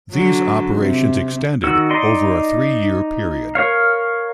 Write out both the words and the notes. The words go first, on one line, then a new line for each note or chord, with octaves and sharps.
These operations extended over a three-year period.
D3 F#3
C3
D#3 F#4 E6
D#4 D5 D#5 C6
A#4 C#5 F5